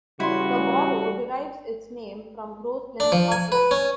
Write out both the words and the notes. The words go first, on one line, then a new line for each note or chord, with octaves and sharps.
The borough derives its name from Roslin, Scotland.
C#3 E3 G3 E4 F#4 C6
D4
F3
G#5
B4
C#4